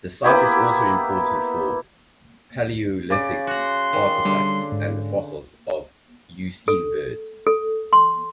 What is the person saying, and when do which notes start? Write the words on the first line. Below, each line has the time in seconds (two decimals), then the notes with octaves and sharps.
The site is also important for Palaeolithic artefacts and the fossils of Eocene birds.
0.24 A#3 B3 E4 G4
3.10 C#3 D5
3.47 F#4 F#5 C6
3.93 D#3
4.25 D3 G3
4.72 G#2
6.68 A4
7.47 A4
7.93 C6